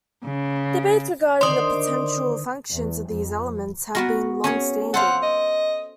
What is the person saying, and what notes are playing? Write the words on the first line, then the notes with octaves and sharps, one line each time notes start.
Debates regarding the potential functions of these elements have been long standing.
C#3
D3 D#3 C5 D5 C6 D#6
E2
F2
B3 F#4 A#4
C#4 G#4 C#5
A4 C5 F5 F#5
D#5